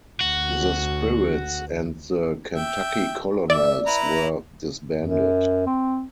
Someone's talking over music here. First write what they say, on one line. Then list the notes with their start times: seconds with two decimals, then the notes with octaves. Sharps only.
The Spirits and the Kentucky Colonels were disbanded.
0.21 D2 F#4
2.55 E5 G5
3.50 D5 E5
3.87 E4 B4 A#5
5.01 F#2
5.67 C4